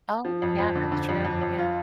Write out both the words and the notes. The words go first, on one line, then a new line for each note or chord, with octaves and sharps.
Oh, yeah, that's true. Yeah.
F3
F2
F2
D3
D3
F2
F2
F2
F4